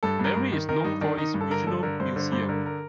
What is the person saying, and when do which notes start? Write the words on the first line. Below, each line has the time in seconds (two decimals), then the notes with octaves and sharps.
Mary is known for its Regional Museum.
0.03 G2 A4
0.19 G2 A#4
0.36 G2
0.52 D#3
0.69 D#3 A#4
0.84 G2 D#4
1.01 D#3 D4
1.17 D#3 D#4
1.34 G2
1.41 A4
1.50 D3 A#4
1.67 G2 A4
1.83 D3 A#4
2.00 G2 C5
2.16 D3 C5
2.32 G2 C5
2.49 D3 A#4
2.66 A#4